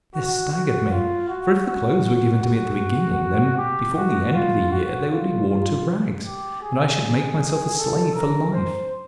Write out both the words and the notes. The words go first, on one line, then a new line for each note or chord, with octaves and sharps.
This staggered me; for if the clothes were given to me at the beginning, then before the end of the year they would be worn to rags, and I should make myself a slave for life.
F#4
F#4
F4
F#4
F#4
F#4
F#4
G4
F#4
F4
F#4
F4
F4
G4
G#4
A4
A#4
C5